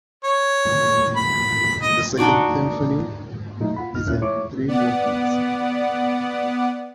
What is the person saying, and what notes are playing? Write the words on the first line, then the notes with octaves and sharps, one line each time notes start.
The Second Symphony is in three movements.
C#5
B5
D#5
D4 D#4 F#4 D5
G#2
A#2 F3 F#3 A3 D#4 E4
F4 F#5 B5
C2 G2 A#2 D#4 F6
D#2 A#3 C#4 E4 F#6
G#3 E4 C#5 C#6 D6
B3 D5 F#5